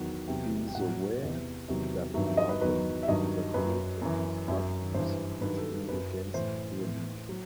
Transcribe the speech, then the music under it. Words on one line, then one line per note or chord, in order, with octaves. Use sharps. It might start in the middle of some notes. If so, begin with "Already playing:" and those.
He is aware that "Mother" disapproves of these authors as being against religion.
Already playing: E2 D#3 F#3 F#5
E2 C3 F#3 G5
G5
A2 F#3 F#5
E2 C3 E3
E2 C3 D#3 F#3
G2 D#3 F#3 E5
E5
D#5
B4
E2 D#3 F#3 B4
E5
G2 D#3 F#3 D#5
F#2 F#3 B4
F#2 E3
F#2 F#3 E5
G2 E3 C5
G2 D#3 F#3 B4
A4
F#2 F#3 B4
A2 E3 C5
A2 E3
F#3